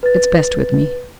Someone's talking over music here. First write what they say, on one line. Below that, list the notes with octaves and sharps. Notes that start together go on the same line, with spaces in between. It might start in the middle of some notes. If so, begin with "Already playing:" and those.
"It's best with me."
B4 A6